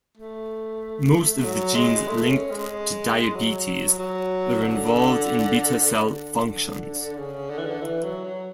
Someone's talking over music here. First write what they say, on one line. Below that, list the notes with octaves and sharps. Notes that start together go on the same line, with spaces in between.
Most of the genes linked to diabetes are involved in beta cell functions.
A3
F#3
G#3
A3
C#4
G#3
F#3
F#3
D3
D3
C#3
D3
E3
D3
E3
F#3
F#3